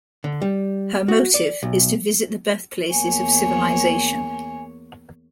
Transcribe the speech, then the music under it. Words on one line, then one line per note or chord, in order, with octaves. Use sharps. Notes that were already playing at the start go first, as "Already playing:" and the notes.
Her motive is to visit the birthplaces of civilisation.
D3
G3
F#4
D5
B1
E2 A#3 C#5 G#5